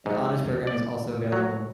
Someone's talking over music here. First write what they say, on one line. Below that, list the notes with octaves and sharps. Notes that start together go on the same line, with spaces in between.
An Honors Program is also available.
G#2
D5
F#3